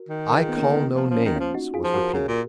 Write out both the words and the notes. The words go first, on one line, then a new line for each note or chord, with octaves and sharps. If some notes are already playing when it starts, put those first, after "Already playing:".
"I call no names," was repeated.
Already playing: F#4 A#4
D#3
A#4
F4 G#4
B3
A#3 C#4
B3
F3 B3
F3
A#3 C#4
D#3
F3 C#4 F4
D#4 F#4
F4 G#4
F3
F#4 A#4
C#3 F#4 A#4
A#2